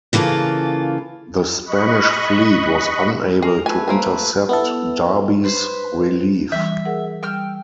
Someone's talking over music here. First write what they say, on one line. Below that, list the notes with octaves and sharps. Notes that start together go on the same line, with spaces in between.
The Spanish fleet was unable to intercept Darby's relief.
C#3 E3 A#3 F4 A4
D#5 B5 C#6 F#6
G#4 A#4 A#5
A3 B4 G#5
A#3 C5 G#5
B3 E4 A4
B4 C5
E3 G3 E5
G#4 A#4 F#5
G3 G5 E6 F6